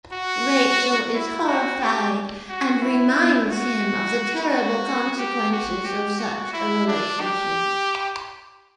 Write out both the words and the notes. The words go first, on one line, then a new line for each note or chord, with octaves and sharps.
Rachel is horrified and reminds him of the terrible consequences of such a relationship.
F#4
E4
F#4
G4
F#4
E4
F#4
F#4
G4
F#4
G4
F#4
E4
D4
G4